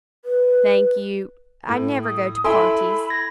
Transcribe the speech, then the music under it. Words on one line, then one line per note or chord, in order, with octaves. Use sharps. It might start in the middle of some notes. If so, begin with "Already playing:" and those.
'Thank you, I never go to parties.'
B4
A2
D#6
E4 A4 E5 G#5 B5 C6 D7
G#6 A#6